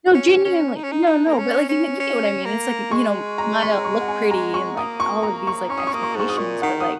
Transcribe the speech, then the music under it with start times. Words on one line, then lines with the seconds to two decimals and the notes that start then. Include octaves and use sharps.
No, genuinely. No no, but, like, you you get what I mean, it's like, y you know, smile, look pretty, and, like, all of these, like, expectations. But like,
0.15 C#4
0.45 C#4
0.76 D#4
0.84 C#4
0.92 D#4
1.07 D#4
1.28 A#3
1.38 C#4
1.69 C#4
2.00 C#4
2.45 A#3
2.91 G#3 C#6
3.38 A#5
3.62 C#6
3.84 C#6
4.01 F#5
4.08 G#5
4.31 A#5
4.54 C#6
4.77 A#3 D#6
5.00 C#6
5.23 A#5
5.47 C#6
5.69 C#4 C#6
5.78 D#6
5.87 C#6
5.93 A#3 D#6
6.03 C#6
6.11 D#6
6.16 G#2 C#6
6.29 D#6
6.37 A#2 C#6
6.62 D#3 F#5
6.80 D#6